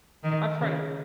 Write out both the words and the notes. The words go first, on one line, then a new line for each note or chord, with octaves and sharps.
I've heard of it.
D#3
C#3